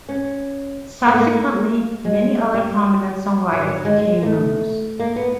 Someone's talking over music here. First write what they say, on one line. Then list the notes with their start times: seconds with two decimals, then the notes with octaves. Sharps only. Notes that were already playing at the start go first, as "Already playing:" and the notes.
Subsequently, many other prominent songwriters became members.
0.09 C#4
1.07 A#3
1.14 A3
1.21 A#3
2.05 G#3
2.54 G3
3.52 F#3
3.62 G3
3.69 F#3
3.85 G#3
4.02 G#3
4.22 A#3
4.26 A3
5.00 A#3
5.16 B3